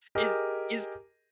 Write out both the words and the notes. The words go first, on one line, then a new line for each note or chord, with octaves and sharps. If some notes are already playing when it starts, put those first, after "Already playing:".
Is is
G4 G#4 A#4 D#5